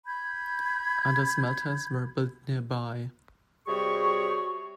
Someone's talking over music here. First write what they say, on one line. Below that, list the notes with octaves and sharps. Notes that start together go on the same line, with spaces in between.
Other smelters were built nearby.
B5 G6 G#6
C3 G3 F#4 G#4 C#5 C#6